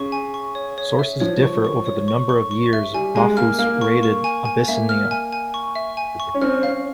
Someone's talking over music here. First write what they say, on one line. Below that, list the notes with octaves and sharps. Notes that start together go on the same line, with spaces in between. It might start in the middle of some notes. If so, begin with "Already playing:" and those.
Sources differ over the number of years Mahfuz raided Abyssinia.
Already playing: C#3 C#6
G#5
C#6
C#5
C#5
E5
F3 C#5
C#6
C#6
C#5
C#6
C#6
C#6
E5
G3 G#5
G#3 G#5
A#3 F6
A#3 F6
C#6
C#6
G#5
G#5
A#3 E5
F6
G#5
G#5
C#6
E5
G#5
C#6
C#4
C4 F6
C#4 F5